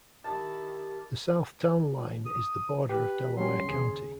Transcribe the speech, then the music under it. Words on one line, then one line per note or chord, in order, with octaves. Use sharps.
The south town line is the border of Delaware County.
D#3 E4 G4 A#4 A5
D#6
G4 B4
F#3 G3 C#4 C6
D#2 C#3 G#4